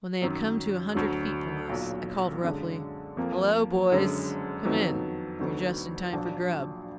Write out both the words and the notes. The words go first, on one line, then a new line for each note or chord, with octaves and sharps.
When they had come to a hundred feet from us, I called roughly, "Helloa, boys! come in. You're just in time for grub."
F#2 D#3 F#3
D2 D3 F#3
B1 A#2 F#3
F#2 D3 G#3
F2 F3 A#3
F#1 F#2 D3 G#3
F2 D#3 F#3 B3 D#4
D2 D3 F#3 B3 D#4
A#1 A#2 F#3 D4